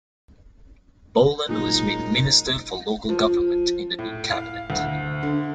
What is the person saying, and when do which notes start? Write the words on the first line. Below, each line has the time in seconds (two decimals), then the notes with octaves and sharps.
Boland was made Minister for Local Government in the new cabinet.
1.49 A#2 F#3 G#3 D#4
3.09 F3
3.99 A2
4.30 F5
4.70 D2
5.23 D3